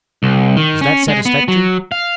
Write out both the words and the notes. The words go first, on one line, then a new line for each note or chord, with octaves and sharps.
Is that satisfactory?'
C2
D#3
C#4
G#3
B3
F#3
F5